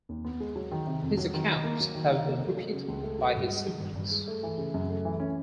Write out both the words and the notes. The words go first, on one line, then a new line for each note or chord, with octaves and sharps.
His accounts have been repeated by his siblings.
D#2
B3
G#3
F#3
D#3
C3
F2
F#3
D#3
D#4
A#3
F#3
D#3
D#4
A#3
A3
F#3
C#3
C#2
A3
F#3
G2
G#3
D#3
G2
G2
G#3
A3
E3
C#3
F#2
A3
E3
C#4